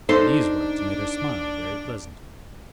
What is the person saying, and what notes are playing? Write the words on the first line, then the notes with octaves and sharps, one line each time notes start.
These words made her smile very pleasantly.
D4 D#4 A4 C5 C6